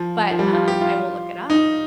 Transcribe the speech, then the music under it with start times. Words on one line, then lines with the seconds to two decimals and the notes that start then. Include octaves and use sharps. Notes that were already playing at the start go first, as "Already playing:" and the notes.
But, um, I will look it up.
Already playing: F3
0.31 F3
0.39 G3
0.53 F4
0.68 G4
0.81 F4
1.50 D#4